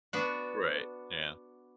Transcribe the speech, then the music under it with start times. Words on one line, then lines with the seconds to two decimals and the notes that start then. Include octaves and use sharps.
Right, yeah.
0.13 B3 D4 F#4